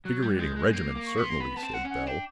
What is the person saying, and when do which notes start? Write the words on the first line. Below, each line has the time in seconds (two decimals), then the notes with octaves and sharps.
"Invigorating regimen, certainly!" said Bell.
0.05 F#3 F#6
0.22 G3 G6
0.35 F#6
0.39 G#3 G6
0.56 G#3 F#6
0.73 A#3 G6
0.89 D6
0.95 A#3
1.06 C#6
1.17 B3
1.24 C6
1.29 A#3
1.40 B3 B5
1.57 B3 A5
1.63 C4
1.74 F#5
1.85 C#4
1.90 F#5
2.07 D4 G5